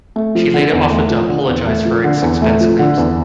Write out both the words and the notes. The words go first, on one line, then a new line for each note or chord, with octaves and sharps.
She later offered to apologise for her expense claims.
A3
F3
D3
E2
A3
F3
D3
E2
A3
F3
D3
E2
A3
F3
D3
E2